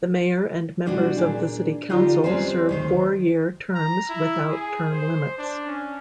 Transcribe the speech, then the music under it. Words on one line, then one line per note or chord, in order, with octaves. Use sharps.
The mayor and members of the city council serve four-year terms without term limits.
B2 G3 D4 E4 F#4
A#2 D4 G#4
D3 D#4 F4 G4 D5
G3 G#3 C4 C#4 B4 C5
D2 D#3 C5
A#5
E4
G#4
C5
D4
C#4